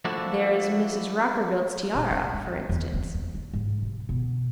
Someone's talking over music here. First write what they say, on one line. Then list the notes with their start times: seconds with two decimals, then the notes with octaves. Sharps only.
There is Mrs. Rockerbilt's tiara, for instance.
0.05 F3 A3 A#3 D4 E4 F#4
1.95 A#2
2.11 D4
2.34 A#3
2.69 E2
2.94 C4
3.15 A#3
3.34 F#3
3.53 G#2
3.82 C3
4.09 B2